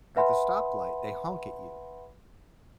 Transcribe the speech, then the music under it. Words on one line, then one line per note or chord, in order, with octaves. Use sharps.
at the stoplight they honk at you.
B4 E5 F#5 G#5 B5 C6